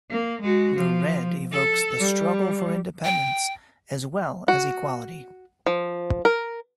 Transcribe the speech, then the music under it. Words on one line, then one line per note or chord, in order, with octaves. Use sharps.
The red evokes the "struggle for independence", as well as equality.
A#3
G#3 F#4
F3
A4
G3
G5
F#4
F3
A#4